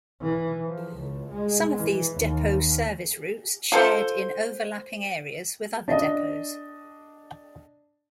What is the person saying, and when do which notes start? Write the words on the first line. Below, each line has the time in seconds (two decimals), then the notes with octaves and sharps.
Some of these depots service routes shared in overlapping areas with other depots.
0.22 E3
0.65 F3
0.97 C#2
1.31 G#3
1.77 E3
2.18 D#2
3.72 F4 A4 C5
5.88 D4 D#5